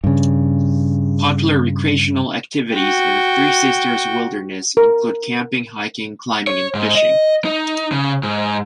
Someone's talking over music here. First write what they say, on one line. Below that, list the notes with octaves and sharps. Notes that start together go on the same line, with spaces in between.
Popular recreational activities in the Three Sisters Wilderness include camping, hiking, climbing and fishing.
G2 C#3
F#4 G5
A#4
C#5
G#2
D#5
D#4
C#3
G#2